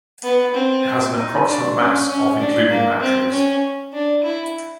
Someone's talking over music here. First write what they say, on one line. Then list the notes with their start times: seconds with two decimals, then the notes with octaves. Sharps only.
It has an approximate mass of including batteries.
0.23 B3
0.55 C4
1.16 D#4
1.47 D4
1.77 C#4
2.09 C#4
2.39 D4
2.70 A#3
3.01 C4
3.31 C#4
3.93 D4
4.23 E4